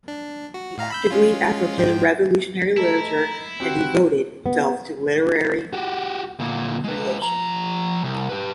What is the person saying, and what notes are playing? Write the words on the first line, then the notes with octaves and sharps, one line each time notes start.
He actively advocated revolutionary literature and devoted himself to literary creation.
D4
F#4
A2 F5 A#5
B5 E6 G6
G#3 C#4 F4
G#2 F3 G5
A3 E4 A4 D#5 A#5
C4 F#4 G4 G5 F#6
B3
F#4 G4
D2 A#2
G#3 B4
F3 A#5
C2
G4 B4